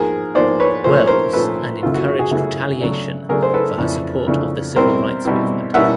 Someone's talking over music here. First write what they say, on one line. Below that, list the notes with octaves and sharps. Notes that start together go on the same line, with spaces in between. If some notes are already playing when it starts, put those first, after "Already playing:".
Wells and encouraged retaliation for her support of the civil rights movement.
Already playing: G#2 F3 A#3 G#4 A#4
G#2 F3 A#3 C5 D5
B4 C#5
A#2 F3 A3 C#4 C5
C#5
A#4 C5
A#2 F3 A3 C#4 A4 B4
F#2 C#3 E3 A3 F4
F#4
F#4
F#4 G#4
F#2 C#3 E3 A3
C#3 F#3 A3 D4
C#3 F#3 A3 D4 G#4 A#4
C5
A4 B4
F2 C#3 E3 A3 D4
F2 C#3 E3 A3 D4
B2 G3 C4 E4 A#4 C5
B2 G3 C4 E4
B2 G3 A#3 C#4 E4 E5 F#5